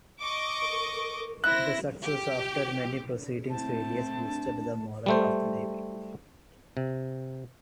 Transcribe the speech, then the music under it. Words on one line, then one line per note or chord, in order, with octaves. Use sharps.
The success, after many preceding failures, boosted the morale of the navy.
D#5 C#6 D6
E4 C5 F#6 A#6
G4
A3 C4 E4 A5
D4
G3 A3 C5
C3